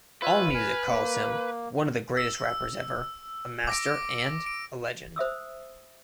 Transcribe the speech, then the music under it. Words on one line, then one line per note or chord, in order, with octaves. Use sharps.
Allmusic calls him "one of the greatest rappers ever", "a master", and "a legend".
F4 B4 C#5 E5
G#5 F6
A#3
E6
D6 A#6 D7
D7
C5 E5 D#6 E6